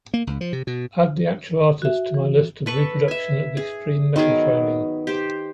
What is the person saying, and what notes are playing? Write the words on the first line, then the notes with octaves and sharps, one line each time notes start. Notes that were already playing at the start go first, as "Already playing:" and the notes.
Ad the actual artist to my list of reproduction of extreme metal training.
A#3
C#2
F3
C3
B2
F#4 E5
E3
A4 B4 C#6
E5 G#5
G#4
D#3 F#3 B3 G#4
G4 C5